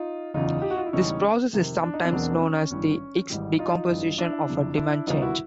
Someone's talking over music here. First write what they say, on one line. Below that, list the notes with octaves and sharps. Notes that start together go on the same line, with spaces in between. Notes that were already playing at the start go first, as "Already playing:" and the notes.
This process is sometimes known as the Hicks decomposition of a demand change.
Already playing: D#4 F4
F#1 E2 C#3 D#4 F4
G4
F#4
F4
E4
E1 E2 C#3 E3 G3 C#4 D#4
F2 C3 D#3
D4
D#4
C4 D4
E1 E2 B2 F#3 A#3
C#4
G#1 G2 E3 C#4
G#1 G#2 E3 G3
D#4 F4
A1 G2 E3
D4 E4
F#1 F2 C3
D4 E4
D2 C3 D#3 G3 B3 D#4 F4
E4 F#4